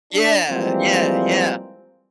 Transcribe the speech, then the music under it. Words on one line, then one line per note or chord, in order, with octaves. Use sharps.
Yeah. Yeah, yeah.
D4
E3 F3 G3 G#3 A#3 C4